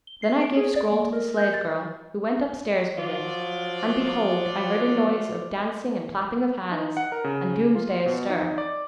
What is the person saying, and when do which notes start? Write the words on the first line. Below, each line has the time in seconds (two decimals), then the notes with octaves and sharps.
Then I gave scroll to the slave-girl, who went upsatirs with it, and behold, I heard a noise of dancing and clapping of hands and Doomsday astir.
0.07 G7
0.22 C7
0.42 D7
0.57 G#4
0.76 D5
0.92 A#3
1.13 A#4
1.37 G6
1.54 A6
2.97 F3 F#3 F4 D5
6.72 D#4
6.97 F#5
7.12 A#4
7.24 C#3
7.75 F4
8.06 B2
8.30 D#4
8.58 D5